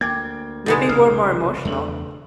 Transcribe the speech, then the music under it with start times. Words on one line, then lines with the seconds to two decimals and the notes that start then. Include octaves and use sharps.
maybe we're more emotional.
0.01 D2 A#3 G5 D6 G#6
0.66 F#1 B2 G3 G#3 D#4 B4
0.89 C2 C#4 D#6 F6 C7
1.65 E2 A3 D4 F#7